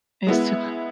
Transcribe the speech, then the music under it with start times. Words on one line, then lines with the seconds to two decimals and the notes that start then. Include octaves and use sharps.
It's to
0.27 G#3 B3 E4